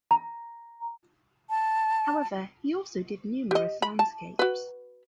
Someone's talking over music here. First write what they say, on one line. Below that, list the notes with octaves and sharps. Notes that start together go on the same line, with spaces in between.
However he also did numerous landscapes.
A#5
A5
G4 D#5
B5
A5
F#4 B4